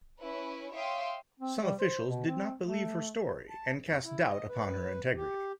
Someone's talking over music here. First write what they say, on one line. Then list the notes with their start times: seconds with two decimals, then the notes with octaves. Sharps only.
Some officials did not believe her story and cast doubt upon her integrity.
0.21 C#4 E4 B4
0.73 C#5 E5 F5 G5 C6 D#6
1.40 C4
1.62 G3
1.79 C5
2.07 B2
2.26 C4
2.61 A3
3.49 A5
3.86 F2
4.04 E4
4.28 D#5
4.48 B4
5.16 G4